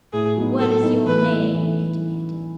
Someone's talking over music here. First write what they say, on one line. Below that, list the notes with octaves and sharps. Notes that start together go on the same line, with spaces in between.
"What is your name?" he demanded.
A2 G#4
F#3 B3 D#4
A2 A4
F#3 B3 D#4
E3 B4
A3 E4
E3